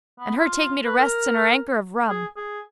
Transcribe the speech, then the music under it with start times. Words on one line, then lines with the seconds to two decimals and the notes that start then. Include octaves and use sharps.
And her take me to rests and her anker of rum.
0.19 B3
0.37 F4
0.85 B4
0.99 A#4
2.09 G#4
2.37 G#4